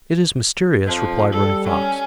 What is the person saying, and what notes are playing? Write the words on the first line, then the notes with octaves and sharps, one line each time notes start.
"It is mysterious," replied Running Fox.
F2 F3
G3 A4
C#4